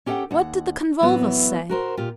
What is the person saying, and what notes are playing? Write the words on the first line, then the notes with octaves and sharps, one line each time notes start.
What did the Convolvulus say?
C#4 G4 A4 E5 F#5 G5
D#2 F#5
F2 A2 E3 F#3 B3 E4
F#4 A#4 C5
A#2 F4 G4